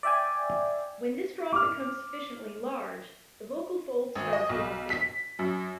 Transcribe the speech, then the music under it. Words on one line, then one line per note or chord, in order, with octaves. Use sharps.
When this drop becomes sufficiently large, the vocal folds start to oscillate.
D5 E5 G5 G#5
D6 F6
G#1
D#5
B1
B6
F#2